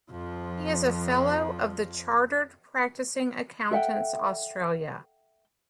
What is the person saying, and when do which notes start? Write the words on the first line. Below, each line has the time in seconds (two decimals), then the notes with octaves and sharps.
He is a Fellow of the Chartered Practising Accountants Australia.
0.11 F2 F3
3.71 A4 E5 F#5 G5